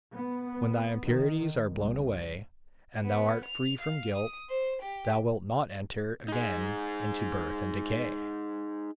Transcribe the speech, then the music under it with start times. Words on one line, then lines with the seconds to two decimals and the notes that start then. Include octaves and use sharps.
When thy impurities are blown away, and thou art free from guilt, thou wilt not enter again into birth and decay.
0.12 B3
1.06 D#3
1.70 C2
3.03 B3
3.46 F7
3.81 F5
4.16 D#6
4.50 C5
4.83 G4
6.28 D#4 G#4